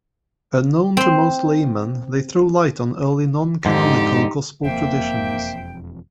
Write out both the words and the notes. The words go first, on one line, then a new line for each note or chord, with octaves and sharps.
Unknown to most laymen, they throw light on early non-canonical Gospel traditions.
C4 C6
F2 G#2 D3 D#4 G4
E1 F2 A#3 C5 E5 G5